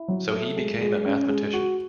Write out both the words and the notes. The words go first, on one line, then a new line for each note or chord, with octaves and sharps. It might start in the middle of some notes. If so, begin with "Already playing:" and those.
So he became a mathematician.
Already playing: E4
F#3
A3
G#3
G#3
C#4
G#3
F#4